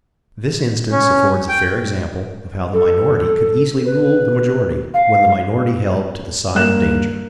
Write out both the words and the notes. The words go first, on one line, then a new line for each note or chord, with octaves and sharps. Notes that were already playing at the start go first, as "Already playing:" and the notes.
This instance affords a fair example how the minority could easily rule the majority when the minority held to the side of danger.
C#4
G5
A4
B4
F5
G2 A#3 F#6 E7